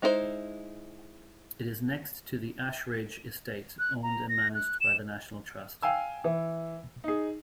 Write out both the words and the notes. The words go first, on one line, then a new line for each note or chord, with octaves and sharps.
It is next to the Ashridge Estate, owned and managed by The National Trust.
G#3 D#4 E4 G#4 C5
F#6
A#5
A#6
F#6
E7
F5 G5 G#5 E6
E3
D#4 G#4